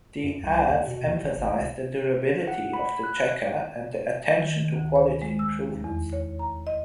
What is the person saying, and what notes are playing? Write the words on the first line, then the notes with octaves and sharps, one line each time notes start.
The ads emphasized the durability of the Checker and the attention to quality improvements.
F#2
C2
D#2
B2
D#2
F1
G#1
C#2
F#5
B5
F#6
D#3
D2
C5
G#3
E6
D#2
E2
C#5
A#5
D#5